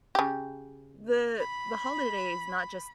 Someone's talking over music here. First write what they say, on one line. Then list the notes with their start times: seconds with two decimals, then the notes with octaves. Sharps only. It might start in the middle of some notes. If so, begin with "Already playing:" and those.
the the holiday is not just
0.15 C#3 G4
1.39 B5